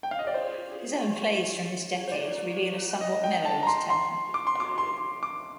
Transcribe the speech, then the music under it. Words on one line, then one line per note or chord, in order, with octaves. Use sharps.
His own plays from this decade reveal a somewhat mellowed temper.
G5
F5
D#5
D5
C5
C5
D5
D#5
G5
A5
A#5
C6
C6
D6
C6
D6
C6
D6